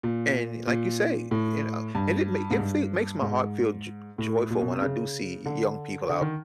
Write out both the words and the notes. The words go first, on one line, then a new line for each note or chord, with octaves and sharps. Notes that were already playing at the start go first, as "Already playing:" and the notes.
and, like you say, you know, and it ma it feel makes my heart feel jo joyful when I do see young people out
A#2
A#2
A2
G2
G#2
G2
G#2
A2
A#2
B2
C3
C#3
D3
D3
D#3